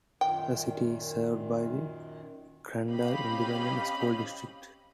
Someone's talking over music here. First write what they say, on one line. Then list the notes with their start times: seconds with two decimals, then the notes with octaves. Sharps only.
The city is served by the Crandall Independent School District.
0.21 F#2 A#2 D#3 G5
2.87 C4 C#4 G4 D#5 F5 B5